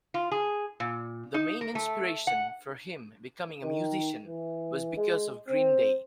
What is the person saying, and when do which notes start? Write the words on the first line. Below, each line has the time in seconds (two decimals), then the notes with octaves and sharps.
The main inspiration for him becoming a musician was because of Green Day.
0.14 F4
0.31 G#4
0.80 A#2
1.34 D#4
1.61 A#4
1.75 A3
2.27 F#5
3.62 D#3
4.25 E3
4.96 G#3
5.48 C4